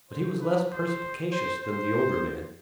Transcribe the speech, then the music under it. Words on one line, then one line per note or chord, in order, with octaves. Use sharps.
But he was less perspicacious than the older man.
C5
B4
C5
C5
C5